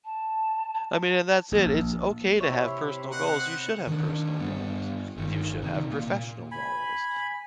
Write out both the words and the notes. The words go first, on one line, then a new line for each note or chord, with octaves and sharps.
I mean, and that's it, it's okay to have personal goals, you should have personal goals. You should have professional goals.
A5
A#1
C3 E4 C#5 E5
B4 C5 D#5 F#5
D#3 D4
G2 B3
G1 D#3
C3 D#3
A#2
G#5 B5